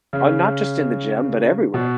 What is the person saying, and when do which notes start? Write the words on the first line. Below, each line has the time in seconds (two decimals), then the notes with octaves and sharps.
Oh, not just in the gym, but everywhere.
0.13 C#3
1.74 B2